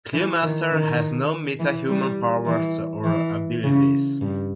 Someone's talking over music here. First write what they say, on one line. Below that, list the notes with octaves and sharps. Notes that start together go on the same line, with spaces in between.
Cluemaster has no metahuman powers or abilities.
E3
D#3
D#3
E3
G3
E3
E3
C#3
G2